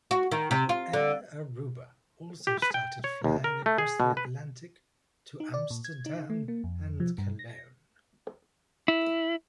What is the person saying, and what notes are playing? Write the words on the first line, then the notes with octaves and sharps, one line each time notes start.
Air Aruba also started flying across the Atlantic to Amsterdam and Cologne.
F#4
D#3
C3
F4
D3
G4
B4
G5
C#5
D#2
A#4
A3
G#4
B2
B4
D#4
D5
A#2
G#6
D#4
A3
A#3
F2
F3
G2
A#6
E4